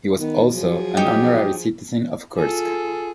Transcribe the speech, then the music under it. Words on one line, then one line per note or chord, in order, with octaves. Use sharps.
He was also an Honorary Citizen of Kursk.
D#3 B3
F3 F#3 G#4
D#4 G4
F4 G#4 A4